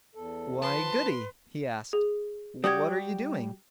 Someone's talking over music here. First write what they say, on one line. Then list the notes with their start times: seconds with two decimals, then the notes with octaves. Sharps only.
'Why, Goody!' he asked, 'what are you doing?'
0.15 E2 A4
0.62 F3 B4 A5 C6
1.93 G#4
2.64 G3 F#4 G4 D#6 G#6